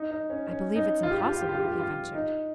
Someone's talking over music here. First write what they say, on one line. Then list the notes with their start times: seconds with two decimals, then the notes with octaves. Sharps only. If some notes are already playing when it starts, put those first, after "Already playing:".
"I believe it's impossible," he ventured.
Already playing: D#4
0.11 D#4
0.30 C#4
0.47 C#4
0.75 D#4
1.03 F4
1.11 G4
1.18 F4
1.26 G4
1.33 F4
1.41 G4
1.49 F4
1.57 G4
1.64 F4
1.72 G4
1.80 F4
2.14 D#4